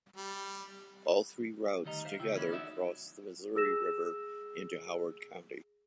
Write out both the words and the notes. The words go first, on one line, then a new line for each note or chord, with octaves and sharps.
All three routes together cross the Missouri River into Howard County.
G3
D2 D#3 G3 D#5 A#5
C5 E5 F5
C#3 E4 G5
E3 G#3 A#3 C#4 D#4 E4
D#4 F#4 D5 E5
G#4 E6 A#6 E7